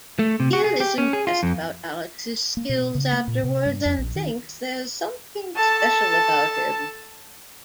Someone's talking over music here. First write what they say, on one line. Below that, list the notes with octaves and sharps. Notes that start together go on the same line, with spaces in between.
Gill is impressed about Alex's skills afterwards and thinks there's something special about him.
A3
C3
F#4
G#4
G4
C#4
G#4
F4
F2
A#3
B2
C#3
A#3
A#2
C3
G2
F2
A#1
D#3
A4 A5